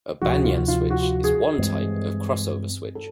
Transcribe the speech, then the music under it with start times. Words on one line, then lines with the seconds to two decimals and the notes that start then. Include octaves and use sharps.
A banyan switch is one type of cross-over switch.
0.22 D2 C3 F3 F#4
0.44 F4
0.68 F4
0.90 F#4
1.24 G#4
1.58 G2 E3 G#3 C4
2.95 A4